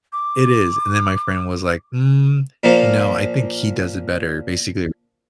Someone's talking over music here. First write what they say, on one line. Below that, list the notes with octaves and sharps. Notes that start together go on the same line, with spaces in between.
It is, and then my friend was, like, "Mm, no, I think he does it better basically,
D6
A#2 F3 A#3